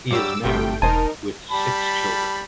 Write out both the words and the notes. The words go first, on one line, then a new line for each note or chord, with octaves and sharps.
He is married with six children.
G2 F#3 G3 D6 E6
G1 F#2 C3 G3 A3 G5
E1 D#4 A#4 C5 G#5 A5
G3 A5 B5